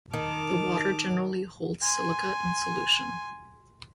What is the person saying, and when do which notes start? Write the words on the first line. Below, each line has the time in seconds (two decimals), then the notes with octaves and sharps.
The water generally holds silica in solution.
0.13 D#3 A5 D6 F6
1.83 G#5 C6